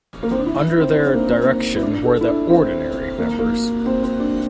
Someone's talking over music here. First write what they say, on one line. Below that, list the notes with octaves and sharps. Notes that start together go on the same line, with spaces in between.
Under their direction were the 'ordinary' members.
A#3
C4
D4
E4
C4
D4
C4
A#3
E4
D4
A4
E4
D4
C4
A#3
A#3
C4
C4
D4